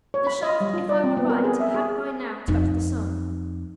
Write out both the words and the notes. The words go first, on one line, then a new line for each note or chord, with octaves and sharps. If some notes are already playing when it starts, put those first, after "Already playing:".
The shaft, if I were right, had by now touched the sun.
C#5
B5
D#5
G3
F4
D5
C4
B3
A#4
G#4
E5
G#4
F2 D#4